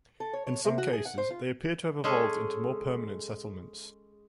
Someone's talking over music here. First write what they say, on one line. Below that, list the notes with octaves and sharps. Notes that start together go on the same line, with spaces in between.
In some cases, they appear to have evolved into more permanent settlements.
A4
C#5
C#5
C3
F#4
G#4
F#5
C5
F4
G#3 C#4 G#4 A4